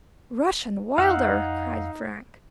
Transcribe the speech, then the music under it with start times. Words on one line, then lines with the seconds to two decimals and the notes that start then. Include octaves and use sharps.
"Rush & Wilder!" cried Frank.
0.98 F2 D#4 F5 F#5 E6